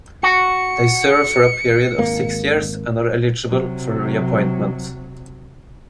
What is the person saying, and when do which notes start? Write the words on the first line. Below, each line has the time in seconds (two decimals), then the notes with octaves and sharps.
They serve for a period of six years and are eligible for re-appointment.
0.23 F#4 C#7
1.98 G#1 A#3
3.47 C3 F#3